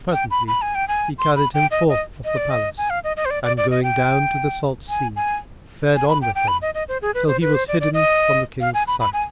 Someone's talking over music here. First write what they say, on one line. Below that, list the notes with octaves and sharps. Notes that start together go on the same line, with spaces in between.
Presently he carried him forth of the palace and going down to the salt sea, fared on with him, till he was hidden from the King's sight.
G5
B5
B5
G#5
G5
G#5
C6
B5
G5
D#5
D#5
D#5
D5
D#5
G#5
F5
D#5
D#5
C5
D5
D5
D5
D#5
G5
G#5
G#5
G#5
B5
G5
G5
B5
D#5
D#5
C5
G#4
B4
C5
B4
C5
D5
D5
D#5
F5
G#5
B5
B5
G#5